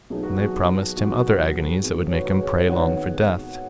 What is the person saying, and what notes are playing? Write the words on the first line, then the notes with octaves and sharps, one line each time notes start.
And they promised him other agonies that would make him pray long for death.
B1 B2 F#3 B3 D#4 G#4
F#4
G#4
B1 B2 F#3 B3 D#4 F#4
G#1 G#2 D#3 B3 G#4
C#5
F#4 B4
G#4 C#5
G#1 G#2 D#3 B3 C#5 F#5